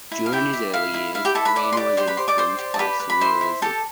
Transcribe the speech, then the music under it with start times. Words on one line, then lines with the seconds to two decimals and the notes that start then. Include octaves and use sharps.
During his early years, Rainer was influenced by Surrealism.
0.11 E4
0.26 F5
0.32 E4 G4 G5
0.53 E4
0.74 E4 F5
0.94 E4
1.15 E4 F5
1.25 G4 G5
1.35 E4 A4 A5
1.45 B4 B5
1.56 B4 D5 D6
1.72 C6
1.77 G4 D5 D6
1.97 G4 C5 C6
2.07 B4 B5
2.17 G4 C5 C6
2.28 D5 D6
2.38 C5 D5 C6
2.59 G4
2.74 A5
2.79 G4 B4 B5
3.00 B4
3.10 B5
3.21 E4 C5 C6
3.41 E4
3.62 G4 A4 A5